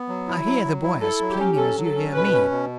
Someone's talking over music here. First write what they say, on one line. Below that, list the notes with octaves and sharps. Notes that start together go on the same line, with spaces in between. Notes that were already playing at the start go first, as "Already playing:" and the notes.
I hear the boy as plainly as you hear me.
Already playing: B3
F#3
E4
F#3
F#3
E4
E4 A4
F#3
G4
C#4
F#3 A4
F#3
A4
C#4
B2 B4
C#4
B2